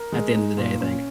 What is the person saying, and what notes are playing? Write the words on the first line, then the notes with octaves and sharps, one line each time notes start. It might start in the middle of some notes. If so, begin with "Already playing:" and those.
at the end of the day, I think.
Already playing: A#4
G#3
D#4
A#2
C#4